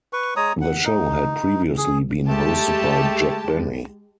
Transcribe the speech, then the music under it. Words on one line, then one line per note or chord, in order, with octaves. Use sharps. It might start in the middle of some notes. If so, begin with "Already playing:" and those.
The show had previously been hosted by Jack Benny.
B4 C#6
G#3 C#5 A#5 D#6
F#5
D#4
G#4
G#3 A3 G4 A5